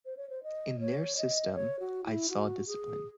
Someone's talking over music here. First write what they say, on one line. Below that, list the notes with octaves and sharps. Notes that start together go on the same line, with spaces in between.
In their system, I saw discipline.
C5
C#5
C5
D#5
C#5
D#5
C#5
F#4
E4
F#4
G#4